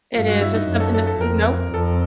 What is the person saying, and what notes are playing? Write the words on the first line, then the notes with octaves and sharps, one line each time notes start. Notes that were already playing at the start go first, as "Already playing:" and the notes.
It is, it's something that nope.
G2 F4
F#4
E4
D#4
F#2
A4
A4
A4
F2 A#4
F2 A4